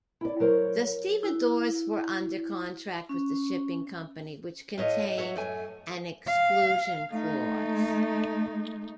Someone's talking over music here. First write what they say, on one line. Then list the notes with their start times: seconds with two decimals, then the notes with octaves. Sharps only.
The stevedores were under contract with the shipping company which contained an exclusion clause.
0.21 E4 D5
0.40 F#3 A#4 C5 C#5
1.23 E4
3.09 C#4
4.78 A2 C#5 D#5 F5
5.17 F#4 C#5 E5 F#5
5.36 F#2 A3 G#5
6.27 F5
7.12 A3 D#4